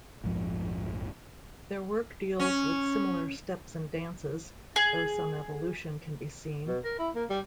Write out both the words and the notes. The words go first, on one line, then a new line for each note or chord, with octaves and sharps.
Their work deals with similar steps and dances, though some evolution can be seen.
A#1 F2 G#2 F3
C#4
G#4
B2
A#4
E4
A#3
G3